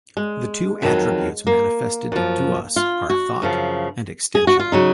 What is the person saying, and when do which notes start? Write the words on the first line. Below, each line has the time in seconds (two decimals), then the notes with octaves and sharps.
The two attributes manifested to us are thought and extension.
0.17 G#3
0.82 F2 D#3 F#3
1.47 A#3
2.12 F#2 F3
2.76 F4
3.10 F#4
3.42 F#2 C#3 F3
4.35 G#4
4.47 F#4
4.60 F4
4.72 C#3 F#3 D#4